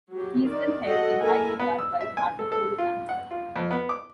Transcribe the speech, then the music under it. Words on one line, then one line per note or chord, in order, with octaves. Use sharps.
He is still held in high regard by Hartlepool fans.
F#3 G4
D#3 D5
F#3 F#4 A4 D#5 F#5 G5
A#3 E4 A4 A#4 G#5
B3
E6
E5
G#5
A4
A4
F4
F#5
F4
F2
B3
D6